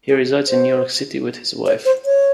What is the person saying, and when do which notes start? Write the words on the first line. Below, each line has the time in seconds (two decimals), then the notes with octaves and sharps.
He resides in New York City with his wife.
0.09 G#4
0.48 C5
1.66 C#5
1.85 C5
2.05 C#5